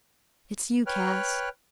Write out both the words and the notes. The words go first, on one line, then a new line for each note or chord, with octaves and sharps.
Hit's you, Cass.
B4 C#5 G5 F6 F#6